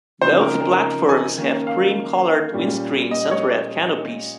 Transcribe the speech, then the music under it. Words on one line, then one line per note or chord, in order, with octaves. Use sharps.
Both platforms have cream-colored windscreens and red canopies.
C#3 F3 C4 D#4 C5
A#4
A#4
G#5
D#3 A#3 C#4
F5
A#2 G3 C#4
D#5
C#5